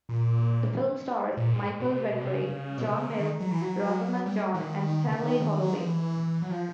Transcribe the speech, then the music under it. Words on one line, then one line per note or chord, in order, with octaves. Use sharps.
The film stars Michael Redgrave, John Mills, Rosamund John and Stanley Holloway.
A#2
A#2
G#2
B2
C3
B2
C3
C#3
B2
C3
C#3
D3
D#3
F#3
E3
F#3
G3
E3
D#3
C#3
D3
D#3
F#3
F3
E3
F#3
F3